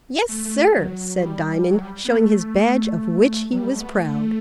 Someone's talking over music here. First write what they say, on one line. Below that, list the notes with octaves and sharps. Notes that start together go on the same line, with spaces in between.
"Yes, sir" said Diamond, showing his badge, of which, he was proud.
A3
A3
F#3
F#3
G3
F#3
G3
B3
A3
F#3
G3
A3
B3
A3